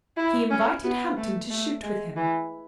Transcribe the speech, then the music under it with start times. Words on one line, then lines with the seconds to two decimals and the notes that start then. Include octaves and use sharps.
He invited Hampton to shoot with him.
0.17 E4
0.50 C#4
0.83 B3
1.17 A3
1.50 A3
1.83 G#3
2.16 E3